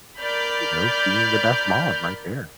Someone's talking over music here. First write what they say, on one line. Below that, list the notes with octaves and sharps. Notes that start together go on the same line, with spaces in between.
you know, being the best mom right there.
A#4 D5 B5 F6 G6